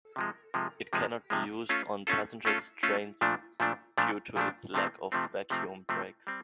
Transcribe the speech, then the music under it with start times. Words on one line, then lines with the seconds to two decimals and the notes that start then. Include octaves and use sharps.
It cannot be used on passenger trains due to its lack of vacuum brakes.
0.16 C3 F3 G#3
0.54 C3 F3 G#3
0.93 C3 F3 G#3
1.30 C3 F3 G#3
1.69 A3 C#4 F4 A4
2.07 A3 C#4 F4 A4
2.45 A3 C#4 F4 A4
2.83 A3 C#4 F4 A4
3.21 A#2 F3 A3 D4
3.60 A#2 F3 A3 D4
3.98 A#2 F3 A3 D4
4.36 A#2 F3 A3 D4
4.74 C3 F3 A3 C4
5.12 C3 F3 A3 C4
5.50 C3 F3 A3 C4
5.89 C3 F3 A3 C4
6.27 G3 C4